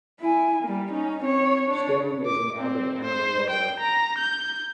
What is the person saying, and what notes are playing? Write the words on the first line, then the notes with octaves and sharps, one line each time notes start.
Stan is an avid animal lover.
E4 G#5
G3 A#3
C#4 D#4
C4 C#5
D4 C#5
D6
C4
C5
G5
A#5
G6